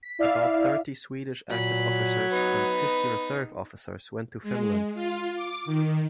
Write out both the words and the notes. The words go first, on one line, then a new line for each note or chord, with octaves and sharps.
About thirty Swedish active officers and fifty reserve officers went to Finland.
B6
E4 D5 E5 F5
A#2 F#3 B5
B3 D#4 B4
G#3
F4
D6
D#3